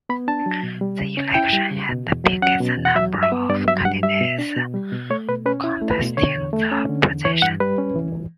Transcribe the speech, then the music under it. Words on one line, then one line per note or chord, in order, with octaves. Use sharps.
The election had the biggest number of candidates contesting the position.
B3 B5
D4 A5
F#3
B2
G3
C#3
C#4
E4 G5
G3
C#3
B2
E2
F#3
C#4 F#5
B2
E2
F#5
F#3 E5
G2
E5
B3
G2 D5
F#3 E5
G2 F#5
G3 E5
B2
D4
B2
G3
B2
A3 C#5
B2 B4
C#4 B4
E4
A3
B4
B2
D3 C#5
E2
A3
C#4
D3
E2
E3 C#5
G2 F#5
G3 B4
C#4
E3